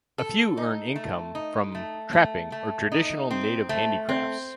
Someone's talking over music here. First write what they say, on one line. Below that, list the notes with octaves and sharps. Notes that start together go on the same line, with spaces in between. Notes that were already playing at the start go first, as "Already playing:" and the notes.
A few earn income from trapping or traditional Native handicrafts.
A4
D#4
A3
D#4
A3
A3
A3
D#4
C4
A3
C4